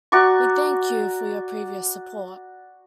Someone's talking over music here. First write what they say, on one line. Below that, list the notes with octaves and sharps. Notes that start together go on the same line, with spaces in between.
We thank you for your previous support.
F#4 D5 A#5 C#6